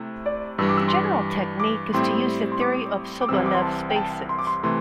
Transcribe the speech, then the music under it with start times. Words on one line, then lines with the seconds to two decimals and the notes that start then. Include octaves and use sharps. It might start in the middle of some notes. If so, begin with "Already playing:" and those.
The general technique is to use the theory of Sobolev spaces.
Already playing: C3 A3 E4
0.26 D5
0.58 G2 E3 G3 E6
0.69 D6
0.77 E6
0.88 C6
0.93 D6
1.60 D6
1.94 A2 G3 C4 E4 G4 C6
2.52 C6
2.61 D6
3.21 D6
3.29 C2 C3 E3 C4 E6
3.46 D6
3.55 C6
3.62 A5
3.90 G5
3.96 A5
4.29 C6
4.39 D6
4.47 C6
4.63 C3 E3 A3 C6